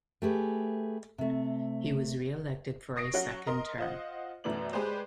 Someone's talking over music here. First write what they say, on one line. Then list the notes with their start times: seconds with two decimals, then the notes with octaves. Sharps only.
He was reelected for a second term.
0.22 A3 G4 G#4 B4
1.18 C3 A3
2.96 C#6 D#6 A#6 C7 D7
3.14 F#3 C#4 C#5 F#5
3.47 A#4 D#5 C6
3.78 F4 C5 D#5 F#5
4.44 F#2 B2 E3 A3 D5 F#7
4.72 G#3 G4 G#4 B4 C5 D5